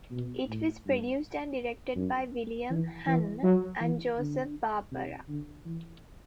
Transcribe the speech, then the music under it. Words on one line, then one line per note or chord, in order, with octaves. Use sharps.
It was produced and directed by William Hanna and Joseph Barbera.
B2
A2
G2
F#2
E3
E3
F#3
E3
D3
C3
D3
E3